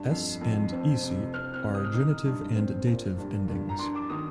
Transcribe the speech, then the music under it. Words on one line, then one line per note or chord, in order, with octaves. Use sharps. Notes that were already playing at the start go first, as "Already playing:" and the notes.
S and -isi are genitive and dative endings.
Already playing: G2
F2
F2
C4
C3
C4 F6
F6
C3
D#6
F6
D#4 D#6
G2
C4
A#2
G2
G2
A#5
D4 C6
D6
D#3 D#6